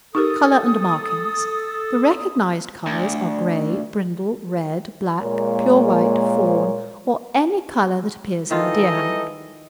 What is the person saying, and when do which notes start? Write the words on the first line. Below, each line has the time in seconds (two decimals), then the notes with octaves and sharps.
COLOUR AND MARKINGS--The recognised colours are grey, brindle, red, black, pure white, fawn, or any colour that appears in the Deerhound.
0.15 D#4 G4 A4 A#4 D#6
2.86 D2
5.22 A#2 G#3 A#3 C#5
8.51 D#3 E3 D#4 F4 A4 D#5